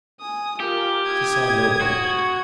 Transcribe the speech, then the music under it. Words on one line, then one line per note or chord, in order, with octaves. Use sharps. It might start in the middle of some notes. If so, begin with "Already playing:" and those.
He saw no one.
G#5 D#6
F4 G4 A#4
D#6 G#6
F#4